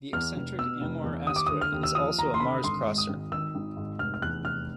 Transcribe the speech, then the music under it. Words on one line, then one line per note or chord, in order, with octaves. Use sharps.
The eccentric Amor asteroid is also a Mars-crosser.
E2 F6
F1
B2 E6
F1
E2
D#2 D#6
D6
D3 D#6
F6
D#2
E6
F3 D#6
D#2 A#5
C6
D3 B5
G#1 C6
G#2
D#6
G#1
D#3 E6
G#1
G#2
F1 F6
F6
E2 F#6
F1 F6